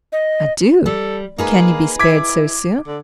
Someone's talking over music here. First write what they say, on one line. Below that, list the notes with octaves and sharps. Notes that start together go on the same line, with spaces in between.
"I do: can you be spared so soon?"
D#5
G3 A4
A#3 D#4 G#4 B4
E4 D6 G#6 B6
D3